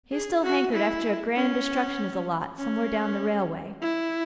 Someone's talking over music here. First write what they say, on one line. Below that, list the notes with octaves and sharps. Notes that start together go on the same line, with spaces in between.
He still hankered after a grand destruction of the lot somewhere down the railway.
G#4
F#4
E4
C#4
C#4
E4